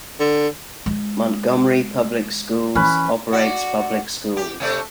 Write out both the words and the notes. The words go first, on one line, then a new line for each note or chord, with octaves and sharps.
Montgomery Public Schools operates public schools.
D3
G#3 F4
E3 C#4 B4
F#4 D5
G4
C3 A3 D5